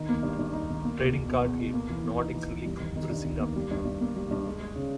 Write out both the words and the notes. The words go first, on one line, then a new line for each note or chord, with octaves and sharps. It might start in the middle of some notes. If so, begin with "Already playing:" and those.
Trading Card Game, "Nordic Relic Brisingamen".
Already playing: D#3
A#3
G2
G2
D#4
D#3
A#3
E2
B2
B2
E2
B2
A#3
E3
A#3
D#4
E3
E3
G3
D#3
D#3
G2
D#3
A#3
G3
G2
G2
A#3
G3
G2
G#3
G#3
C#3